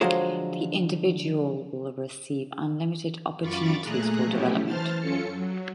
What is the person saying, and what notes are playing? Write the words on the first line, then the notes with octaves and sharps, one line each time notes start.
The individual will receive unlimited opportunities for development.
D3 F3 F#3 G#3 F4 C5
F#2 F4 B5 C#6 D6 A6
A#2 A3 G#4 A#5 F#6
F3 F#3 A3 C#4 E4 G4
E3 C5 A5 F6 A6
F#2 C#4 F4 A4 C#7
F#3